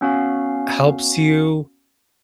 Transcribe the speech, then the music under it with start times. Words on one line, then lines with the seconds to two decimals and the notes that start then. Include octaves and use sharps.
helps you
0.01 B3 C#4 F#4 F5